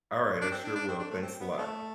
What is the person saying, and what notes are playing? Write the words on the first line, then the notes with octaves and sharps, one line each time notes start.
Alright, I sure will, thanks a lot.
D4
C4
D4
D4
C4
D4
A3
C4
B3
B3
A3